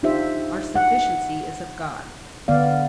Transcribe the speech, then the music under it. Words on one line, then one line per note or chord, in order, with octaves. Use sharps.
"Our sufficiency is of God!"
D4 D#4 F4 G4 C5 E5
F#5
D3 B3 D5 F5